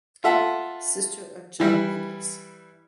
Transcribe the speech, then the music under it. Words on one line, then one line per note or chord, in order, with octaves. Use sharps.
Sister of Gian Mendez.
F4 A4 E5 F#5
E3 G3 E4